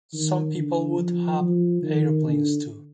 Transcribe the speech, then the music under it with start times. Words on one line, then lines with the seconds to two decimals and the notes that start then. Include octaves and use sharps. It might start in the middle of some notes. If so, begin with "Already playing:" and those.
Some people would have aeroplanes too.
0.14 D#3
0.56 D3
0.98 F3
1.40 F3
1.83 D#3
2.26 D3